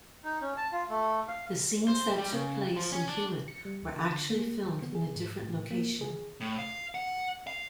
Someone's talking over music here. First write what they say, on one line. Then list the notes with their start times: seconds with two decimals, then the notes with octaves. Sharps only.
The scenes that took place in Hewitt were actually filmed in a different location.
0.24 D#4
0.41 C#4
0.57 A5
0.72 F4
0.90 A3
1.28 F5
1.88 C5
2.18 G3
2.33 C#3
2.77 F3
2.92 C#4
3.09 D4
3.48 C#7
3.65 G3
3.82 D2
3.96 D3
4.30 A#3
4.66 F#3
4.82 B3
4.95 G#4
5.15 G#2
5.42 A2
5.71 A#3
6.01 G#4
6.40 A2
6.59 F5
6.95 F#5
7.47 F5